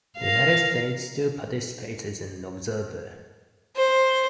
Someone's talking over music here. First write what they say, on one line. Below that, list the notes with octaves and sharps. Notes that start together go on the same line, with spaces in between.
The United States still participates as an observer.
A#4 F5
C5